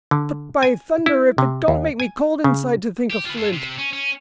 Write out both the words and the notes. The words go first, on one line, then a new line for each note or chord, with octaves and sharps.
But, by thunder! If it don't make me cold inside to think of Flint.
D3
G#5
E4
C3
D#2
G#5
C#3
G4
F4 B4
F4 A4
C3
C#4
C#4